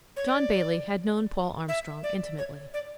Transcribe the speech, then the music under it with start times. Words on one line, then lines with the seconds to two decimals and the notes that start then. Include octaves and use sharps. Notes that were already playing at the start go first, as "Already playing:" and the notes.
John Bailey had known Paul Armstrong intimately.
0.17 C#5
0.28 D5
1.68 E5
2.03 D5
2.38 C#5
2.74 D5